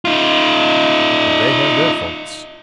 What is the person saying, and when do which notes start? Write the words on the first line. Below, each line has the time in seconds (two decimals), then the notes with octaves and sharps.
But they have their faults.
0.05 D#4 F4